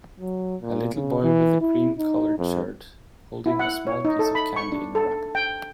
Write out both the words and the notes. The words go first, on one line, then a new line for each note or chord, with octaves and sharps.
A little boy with a cream colored shirt holding a small piece of candy in a wrapper.
F#3
A#2
C#3
E3
E4
D#4
F2
E4
F#5
C#5
D#4
A4
B5
C#6
D4
A4
G5